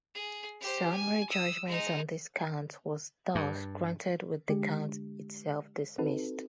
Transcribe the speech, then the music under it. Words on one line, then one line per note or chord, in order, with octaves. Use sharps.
Summary judgement on this count was thus granted with the count itself dismissed.
G#4
G4 C5
G#5
D#6 E6
G#3 D#4
G2
D3 G#3 D4 G4
C4 D#4 F#4 A4 B4